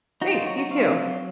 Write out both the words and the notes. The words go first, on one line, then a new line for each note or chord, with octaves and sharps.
Thanks you too.
D#4 F#4
F4
F#3 F#4
F#4
C4 F5
F#3